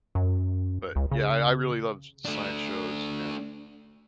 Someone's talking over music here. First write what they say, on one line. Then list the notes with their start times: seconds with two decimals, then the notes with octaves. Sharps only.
but, yeah, I I really love s science shows and,
0.15 F#2
0.96 C#2
1.11 C#3
2.25 A3 D4